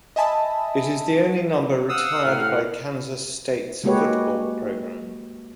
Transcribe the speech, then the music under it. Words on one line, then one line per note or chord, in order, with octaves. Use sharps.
It is the only number retired by Kansas State's football program.
D#5 E5 G#5 A5 B5 D#6
F5 F#5 D#6 E6
A2 F6
G#3 A#3 F#4 G4 B4 C#5